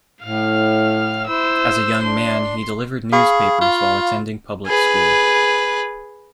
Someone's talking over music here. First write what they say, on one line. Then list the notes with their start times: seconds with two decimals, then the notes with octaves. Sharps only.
As a young man, he delivered newspapers while attending public school.
0.23 A2 F5 F6
1.27 E4 C5 E6
2.02 D4 C6
3.13 G#4 F5 B5 C#6
3.61 F4
4.67 G#4 B4